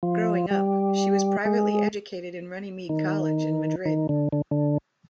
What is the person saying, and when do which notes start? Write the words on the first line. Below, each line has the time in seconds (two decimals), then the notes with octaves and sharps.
Growing up, she was privately educated at Runnymede College in Madrid.
0.03 F3
0.51 G3
1.45 G#3
2.89 D#3
3.85 D#3
4.09 D3
4.32 D3
4.51 D3